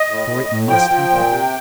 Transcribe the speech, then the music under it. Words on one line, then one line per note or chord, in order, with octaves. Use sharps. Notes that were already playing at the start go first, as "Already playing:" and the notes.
For it MUST happen.
Already playing: D#5
A2
A2
A2
F3 G5
F3
A#2
C3